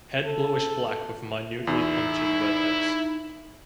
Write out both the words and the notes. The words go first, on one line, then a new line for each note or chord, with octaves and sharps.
Head bluish black with minutely punctured vertex.
A4
E2 D#4 E4